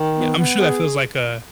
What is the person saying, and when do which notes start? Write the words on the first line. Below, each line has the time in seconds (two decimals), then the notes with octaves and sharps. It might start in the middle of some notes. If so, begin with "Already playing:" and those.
Yeah, I'm sure that feels like, uh
Already playing: D#3
0.15 B3
0.37 B3
0.58 G#4